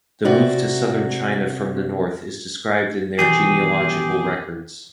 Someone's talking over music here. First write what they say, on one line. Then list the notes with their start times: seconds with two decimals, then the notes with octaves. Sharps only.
The move to southern China from the north is described in their genealogical records.
0.25 C3 F#4 D5
3.19 B2 D#3 E3 G4 G#4